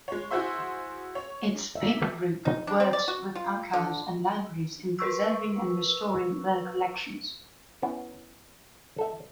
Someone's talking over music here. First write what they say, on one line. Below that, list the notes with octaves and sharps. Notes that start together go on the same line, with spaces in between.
Its Paper Group works with archives and libraries in preserving and restoring their collections.
G#3 C#5
E4 F#4 G#4 C5 E5 C6
C#5
E5
D#4
D4
C4
D5
F#4
F4
D3
A#4 B4 C#6 E6
B3 C#4 E4
A4 E5